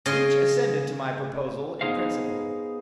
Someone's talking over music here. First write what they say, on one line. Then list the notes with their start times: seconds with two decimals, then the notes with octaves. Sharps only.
Each assented to my proposal in principle.
0.06 C#3 C#5 D#5 C6
1.81 B3 D#4 G#4 C5 F5